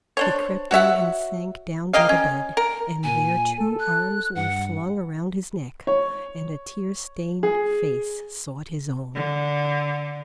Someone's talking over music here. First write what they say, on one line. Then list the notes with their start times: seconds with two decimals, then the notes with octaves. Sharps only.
He crept in and sank down by the bed, and there two arms were flung around his neck, and a tear-stained face sought his own.
0.17 D4 C5 C#5
0.71 F#4 C#5 E5 F#5
1.93 A#3 G4 D#5 F5
2.09 C#4
2.57 A#4
3.04 A#2 G#5
3.58 A4
3.80 F#6
4.35 G2 F#5
5.87 C#5
7.43 G#4
9.15 D3